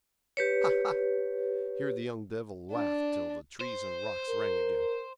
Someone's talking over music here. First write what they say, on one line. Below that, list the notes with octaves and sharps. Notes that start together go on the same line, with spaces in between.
Ha, ha!'--here the young devil laughed till the trees and rocks rang again.
G4 B4 C#5
D4
C5
A#4